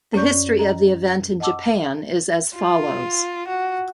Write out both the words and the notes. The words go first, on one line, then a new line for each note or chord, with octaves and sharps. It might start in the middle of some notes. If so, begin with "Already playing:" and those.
The history of the event in Japan is as follows.
F#2 C#4 C#5 D5 C#6 G6
D#5 A#5
D#5 F#5 A5 D6 E6
F4
F#4